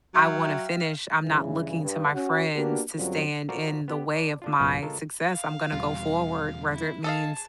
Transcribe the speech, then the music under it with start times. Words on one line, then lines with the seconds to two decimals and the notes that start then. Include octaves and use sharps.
I wanna finish. I'm not looking to my friends to stand in the way of my success, I'm gonna go forward, whether it means,
0.14 F#3 E5 F5 G5
1.24 G2 C#3 E3
1.83 G2
2.14 C#4 F#4
2.56 A#3 B3 D4 F#4 G4 A#4
2.96 F#2 D3 F#3 G3 C4 F4
3.49 F4 F#4 A4 A#4 C5 D5
3.88 B3 G4
4.15 D5 A5
4.42 D3 D4 F4
4.59 B1 F#2 B3 F4 F#5
4.82 C#3 G#3 F4 A4 A#4
5.30 F5
5.72 E2 B2 G3 F4
6.73 E4
7.04 G#4 A4 D#5 F5 A5